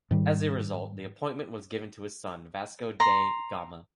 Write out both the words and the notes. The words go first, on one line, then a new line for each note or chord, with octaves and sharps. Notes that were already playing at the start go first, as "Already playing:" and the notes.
As a result, the appointment was given to his son, Vasco da Gama.
G#2 D#3 G3
A#5 C6